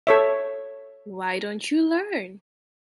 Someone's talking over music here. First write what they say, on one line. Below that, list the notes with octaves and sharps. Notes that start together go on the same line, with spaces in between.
Why don't you learn?
A4 C#5 E5